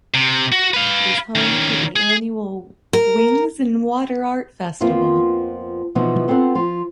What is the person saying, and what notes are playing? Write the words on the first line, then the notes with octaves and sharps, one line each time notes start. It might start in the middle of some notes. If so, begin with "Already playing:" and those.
It is home to the annual Wings 'n Water art festival.
C3
F#4
B4 F5
D#3 C#4
G#4
A#4
F2 F3 A#3 B3 F4
B2 E3 F3 B3 D#4
B3 C4 F4 A4 D5 F#5
F3 F4